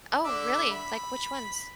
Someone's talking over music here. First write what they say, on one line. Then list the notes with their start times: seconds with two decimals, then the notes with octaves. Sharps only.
Oh, really? Like, which ones?
0.24 D3 D5 E5
0.71 B5